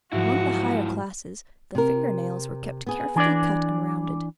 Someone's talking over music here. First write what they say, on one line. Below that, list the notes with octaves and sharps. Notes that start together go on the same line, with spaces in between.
Among the higher classes the finger-nails were kept carefully cut and rounded.
G#2 F3 F#3 E4 F#4
C3 A#4
B3 G#4
E3 D4 D5